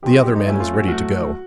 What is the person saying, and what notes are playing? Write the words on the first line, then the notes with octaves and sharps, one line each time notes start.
The other man was ready to go.
F#2 D#3 G#3 C4 G4
F#4
G4
D#4
A2 F#3 A3 C#4 E4
F4
F#4
A2 F#3 A3 F#4